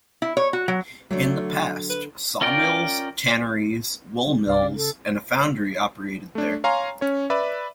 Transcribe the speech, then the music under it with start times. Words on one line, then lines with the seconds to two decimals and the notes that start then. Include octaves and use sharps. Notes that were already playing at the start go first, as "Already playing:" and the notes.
In the past, sawmills, tanneries, wool mills, and a foundry operated there.
0.22 E4
0.37 C#5
0.53 F#4
0.68 F#3
1.11 D3 F#3 A3 D5
1.90 B4
2.41 C#4 F4 A#4 D5 G5
4.27 G3
4.47 C2 G2 D5 F5
4.62 C#3
4.77 A4
6.35 A3 D4
6.64 C#5 F5 G#5 A#5 C6
7.01 C#4 C#5
7.30 B4 D5 E5